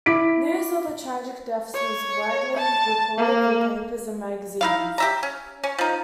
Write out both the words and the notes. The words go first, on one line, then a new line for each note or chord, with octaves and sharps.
News of the tragic deaths was widely reported in papers and magazines.
E4 D6 B6 D7
C#5
A5
A#3
D#4 E4 F5
G4 E5 A#5
C#4
C#4
F3 D#4